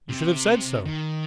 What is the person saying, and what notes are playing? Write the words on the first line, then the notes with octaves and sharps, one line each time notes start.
You should have said so.
C3
D#3